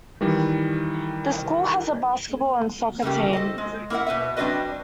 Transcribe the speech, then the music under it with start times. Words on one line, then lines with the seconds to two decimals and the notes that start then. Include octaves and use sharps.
The school has a basketball and soccer team.
0.21 D#3 E3 G3
3.02 C#3 A3 A#3 G4
3.33 A4 C5 D#5
3.58 G#3
3.90 A#3 E4 A#4 E5 F#5
4.06 B2 B4 D5 E5
4.37 G3 C4 D4 F#4 B4 D#5